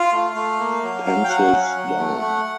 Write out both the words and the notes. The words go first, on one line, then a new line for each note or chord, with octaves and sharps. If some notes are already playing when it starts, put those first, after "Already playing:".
Pencils down.
Already playing: F4 F5
A3
A3
A#3
F#3
F#3
G5
F#3 F#5
C#4
F#3
A3
A3